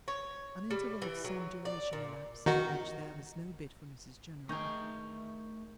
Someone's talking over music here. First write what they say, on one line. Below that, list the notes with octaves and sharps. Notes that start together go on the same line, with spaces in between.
An interval of some duration elapsed, in which there was no bid for Mrs General.
C#5
G3
E3
F#3
D5
A#2
D#3 D#4 F#4
D#3 A3 G#4 A#5 C#6 G6